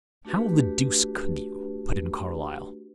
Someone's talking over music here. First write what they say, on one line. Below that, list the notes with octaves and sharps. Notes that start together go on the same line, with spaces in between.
"How the deuce could you?" put in Carlyle.
A3 D4 F#4 G4 B4